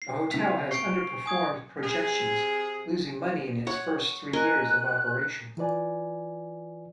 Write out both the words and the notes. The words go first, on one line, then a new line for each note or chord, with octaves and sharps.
The hotel has underperformed projections, losing money in its first three years of operation.
C7
C3 B6 F7
C#6 C7 D7
G#5 D#6 G#6
C3 G#4
C#5 F#5
A#4 D#5 G#5 F#6
E3 F4 B4 D5 G#5